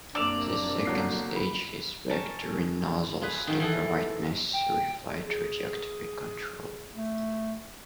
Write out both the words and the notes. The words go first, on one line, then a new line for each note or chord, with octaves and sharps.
The second stage has vectoring nozzles, to provide necessary flight trajectory control.
F#2 C3 A#3 D4 D5 E6 E7 F7
G1 F#3 C7
B5
C#4 A#4 A5
F4 G#4 B4
F#2 D#3
E3 G#4 A4
G5
G#4
A3